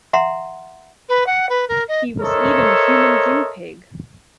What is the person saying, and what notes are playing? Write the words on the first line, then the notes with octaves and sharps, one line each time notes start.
He was even a human guinea pig.
E5 F#5 A#5 C6
B4
F#5
B4
A#4
D#5
A4 A#4 C5 C#5 D#5 E5